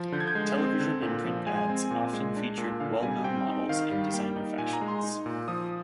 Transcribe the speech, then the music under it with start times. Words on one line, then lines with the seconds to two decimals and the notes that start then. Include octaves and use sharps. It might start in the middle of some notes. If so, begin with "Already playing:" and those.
Television and print ads often featured well-known models and designer fashions.
Already playing: F3
0.12 D3 G6
0.20 G#6
0.28 G6
0.35 G#3
0.58 C4
0.80 D3
1.02 A#2
1.24 F3
1.47 G#3 G#5
1.69 C4
1.91 A#2
2.13 G#3
2.36 D4
2.58 A#2
2.80 D3 F5
3.03 G3 G#5
3.24 C4 G5
3.48 D#4
3.69 D#3 F5
3.92 G3
4.14 A#3 G5
4.36 D#4
4.58 A#2 G#5
4.73 A#5
4.81 G#3
4.88 C6
5.03 D#4
5.26 A#2
5.48 F3 D#6